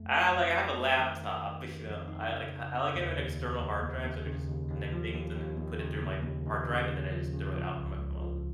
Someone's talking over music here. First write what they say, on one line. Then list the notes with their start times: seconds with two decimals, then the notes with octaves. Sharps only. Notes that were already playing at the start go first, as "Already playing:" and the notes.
I ha like, I have a laptop, but, you know, I like ha I like, have an external hard drive so I could just connect things and then put it through my hard drive, and then I just throw it out from my phone.
Already playing: F2 A3
0.11 A3
0.32 F2
0.55 D#4
0.77 A3
0.98 D#3
1.20 D#3
1.43 D#3
1.64 D#3
1.85 F2
2.08 D#4
2.30 C#3
2.51 C#3
2.73 C#3
2.95 D#2
3.18 D#2
3.39 D#2
3.61 D#2
3.83 D#2
4.04 D#2
4.26 C#3
4.49 D#2
4.70 D#2
4.92 F3
5.14 D#2
5.35 D#2
5.58 D#2
5.80 C#3
6.02 D#2
6.23 D#2
6.45 D#2
6.68 C#3
6.89 D#2
7.11 F3
7.33 C#3
7.54 F3
7.77 C#2
7.98 C#2
8.21 F3